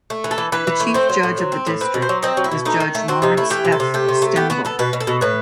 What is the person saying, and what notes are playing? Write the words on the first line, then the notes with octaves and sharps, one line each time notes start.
The Chief Judge of the District is Judge Lawrence F. Stengel.
A3
E3
A4
E3
E3 B4
E3
A3
C4 C5
F#3
A2
F#3
C4
A2
C4 B4
B2
C5
F#3
C4 D#5
F#3
E4
B2
A3 D#4
D#3
A3
C4 F#4
C3 D#4
A3 E4
E3 G4
C3
A4
C3
A3 G4
C3
A3
B3 G4
B3 F#4
B3 A4
B2 B4
B2
A4
B2
A2 B4